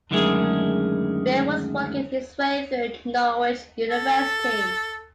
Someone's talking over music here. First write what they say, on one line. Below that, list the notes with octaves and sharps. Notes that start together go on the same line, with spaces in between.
Bill was working his way through Norwich University.
F#2 D3 D#3 G#3 A3 G#4
A4